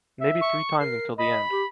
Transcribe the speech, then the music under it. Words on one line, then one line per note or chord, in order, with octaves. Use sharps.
Maybe three times until the end.
E5
C#6
A#4 C7
D#5 B5
G4